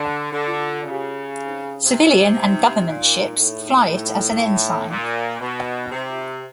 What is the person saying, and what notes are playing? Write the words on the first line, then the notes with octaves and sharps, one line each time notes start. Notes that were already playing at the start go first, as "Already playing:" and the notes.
Civilian and government ships fly it as an ensign.
Already playing: D3
D3
C#3
C3
A#2
A2
A2
A#2
B2
C3